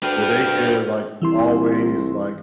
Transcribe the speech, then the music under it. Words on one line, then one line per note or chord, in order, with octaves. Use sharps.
the daycare is, like, always, like,
D2 D4 B4 G5 F6
C2 E3 E4 C6